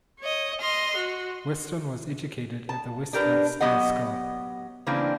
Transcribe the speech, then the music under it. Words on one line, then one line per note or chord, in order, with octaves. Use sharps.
Weston was educated at the Westminster School.
C#5 D#5
D#5 C6 F6
F#4
A5
D4 G4 A#4 B4
F#3 B3 G4 D#5 F#5
C#3 E3 G3 A#3 C4 D4